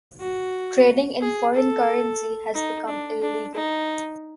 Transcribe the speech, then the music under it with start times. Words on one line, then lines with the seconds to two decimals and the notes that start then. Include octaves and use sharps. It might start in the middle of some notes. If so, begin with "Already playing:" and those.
Trading in foreign currency has become illegal.
0.20 F#4
1.21 G#4
1.54 A4
2.54 D#4
2.88 D4
3.22 D4
3.54 D#4